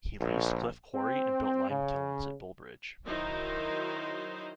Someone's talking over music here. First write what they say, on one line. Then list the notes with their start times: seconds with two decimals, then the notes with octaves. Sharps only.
He leased Cliff Quarry and built limekilns at Bullbridge.
0.20 A#1
0.95 C4
1.70 C#3
3.06 D#3 F#3 D#4 E4 C5